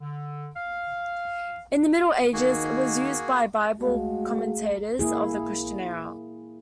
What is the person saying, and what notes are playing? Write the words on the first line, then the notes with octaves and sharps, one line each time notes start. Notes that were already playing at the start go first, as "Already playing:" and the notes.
In the Middle Ages it was used by Bible commentators of the Christian era.
D3
F5
D#3 A#3 F#4 G#4
G#3 A3 F#4 G#4 F5
A#3 E4 G#4